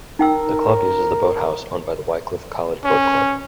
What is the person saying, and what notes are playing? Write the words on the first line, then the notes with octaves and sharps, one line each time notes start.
The club uses the boathouse owned by the Wycliffe College Boat Club.
D#4 A#4 G5 E6
C#4